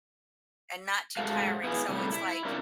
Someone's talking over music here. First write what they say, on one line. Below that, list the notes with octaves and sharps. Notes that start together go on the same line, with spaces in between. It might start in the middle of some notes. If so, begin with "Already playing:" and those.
and not too tiring. So It's, like,
G#2 A3 F#4 F5
B3 E4 F4 G#4
A2 C3 G3 A3
E4
C4 D4 E4 F4 A#4